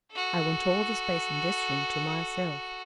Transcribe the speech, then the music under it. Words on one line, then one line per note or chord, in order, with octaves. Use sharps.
I want all the space in this room to myself!
F#4 A4